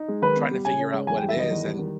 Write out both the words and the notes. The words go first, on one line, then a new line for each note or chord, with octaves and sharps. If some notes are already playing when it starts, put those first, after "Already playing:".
trying to figure out what it is, and,
Already playing: D#4
G#3
D#3 B4
B3
G3
C#3 G#5
C#4
G#3
E2 G#5
G5
G3
E5
D#3 D#5
E2
G3
D#3